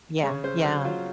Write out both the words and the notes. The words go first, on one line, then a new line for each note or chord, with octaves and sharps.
Yeah. Yeah.
C#3 C#5
C#3 C5
F#3 C5
F#3 F4